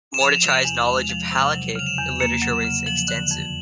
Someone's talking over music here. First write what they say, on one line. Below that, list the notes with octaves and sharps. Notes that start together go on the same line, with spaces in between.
Mordechai's knowledge of halakhic literature was extensive.
E7
F3 F7
C3
F#7
E2 F#7
G#3 F7
F7
F3
F#7
C3
F#7
F#3
C#3 F7
E7
E2
A#3 E7
F#3
E7
C#3
F3 F#7
D3
F2